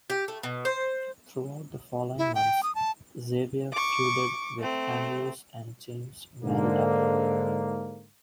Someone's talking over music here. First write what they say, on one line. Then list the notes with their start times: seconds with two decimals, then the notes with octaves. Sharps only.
Throughout the following months, Xavier feuded with Andrews and James Maritato.
0.10 G4
0.28 A3
0.43 B2
0.65 C5
2.18 E4
2.35 G5
2.63 D#6
2.75 A5
3.72 C#6 D6
4.59 A3 C4
6.43 G#2 D3 A#3